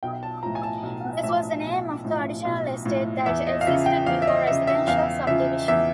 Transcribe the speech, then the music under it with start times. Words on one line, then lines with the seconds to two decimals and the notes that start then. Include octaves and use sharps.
This was the name of the original estate that existed before residential subdivision.
0.03 B1 G5
0.23 A5
0.43 A2 F3 A#5
0.55 G#5
0.63 A5
0.83 B1
1.23 A2 F3 E5
1.64 B1
2.05 A2 F3
2.45 B1
2.86 A2 F3
3.26 E2 E5
3.47 D#5
3.61 F5
3.67 C#3 F3 E5
3.86 G5
4.06 E2 F5
4.22 E5
4.27 D#5
4.47 C#3 F3 E5
4.67 E5
4.87 E2 F5
5.27 C#3 F3 E5
5.68 E2 E5